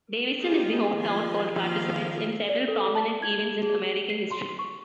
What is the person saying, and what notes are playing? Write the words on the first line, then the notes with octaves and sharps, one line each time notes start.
Davison is the hometown for participants in several prominent events in American history.
D#4 F4 G4 G#4
D#3 F3 G#5 C6
D#3 F3 A#3 E4 F5
D5
A4
A5
G#6
G#4
C7
C6
C#6